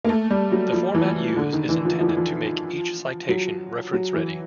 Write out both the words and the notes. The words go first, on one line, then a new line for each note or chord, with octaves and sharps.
The format used is intended to make each citation reference-ready.
A#3
A3
G3
F#3
F3
E3
D3
D#3
E3
F3
F3
E3
F3
F#3
F#3
E3